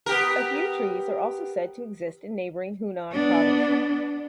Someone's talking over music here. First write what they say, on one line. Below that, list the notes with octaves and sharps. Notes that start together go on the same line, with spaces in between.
A few trees are also said to exist in neighboring Hunan Province.
B3 G4 A#4
B3 D4